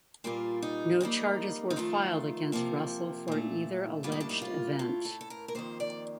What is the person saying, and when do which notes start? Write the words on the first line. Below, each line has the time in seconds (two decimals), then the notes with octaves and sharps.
No charges were filed against Russell for either alleged event.
0.24 A#2 G3 A#3 F4
0.62 D#4
1.01 F2 D#3 G3 A#3 D#4
1.70 D#4
1.76 F2 D#3 A3 F4
2.52 C3 F3 A#3
3.28 A#2 A3
4.03 A2 G3 A#3 F4
4.12 D#4
4.20 D4
4.29 D#4
4.42 F4
4.79 A2 A3 F4
5.05 A4
5.21 A4
5.30 A#4
5.48 A#4
5.55 F2 D#3 A#3 C5
5.80 D5